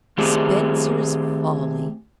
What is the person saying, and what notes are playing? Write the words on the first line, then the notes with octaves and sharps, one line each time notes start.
Spencer's Folly!
D#3 A3 C4 G4 G#4